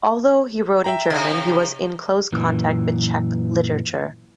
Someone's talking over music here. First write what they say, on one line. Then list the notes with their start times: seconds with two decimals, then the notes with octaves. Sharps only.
Although he wrote in German, he was in close contact with Czech literature.
0.84 E5 G5 A#5
1.10 C3 D#4
2.33 F#2 A#2 E3